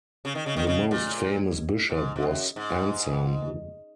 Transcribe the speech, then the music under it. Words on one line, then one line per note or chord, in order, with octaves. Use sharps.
The most famous bishop was Anselm.
C#3
D#3
C#3
D#3
C#3
A#2
G#2
G#2
F#2
G#2